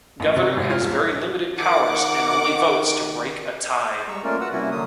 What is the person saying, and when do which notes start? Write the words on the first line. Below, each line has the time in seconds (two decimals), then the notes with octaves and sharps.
Governor has very limited powers and only votes to break a tie.
0.20 A1
0.36 C3
0.57 G#1
0.70 F4
0.81 D#1
1.57 D#3 F#5 D6
3.91 C5
4.09 G3 G#3 A#5 C#6 E6
4.24 A3 A#3 C#4 F4 A#4 D5
4.41 F#4 B4 F#5 E6
4.52 C3 G3 A#3 C#4 E4 F#4
4.71 D3 F#3 A#3 D#6